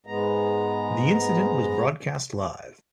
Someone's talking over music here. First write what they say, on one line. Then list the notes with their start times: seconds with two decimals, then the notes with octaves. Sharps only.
The incident was broadcast live.
0.06 G#2 G#3 B3 A#5